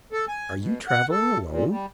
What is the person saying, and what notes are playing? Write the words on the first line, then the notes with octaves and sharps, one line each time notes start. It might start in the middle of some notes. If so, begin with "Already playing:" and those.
"Are you traveling alone?"
A4
G#5
B2
F#5
A4
A#2
G3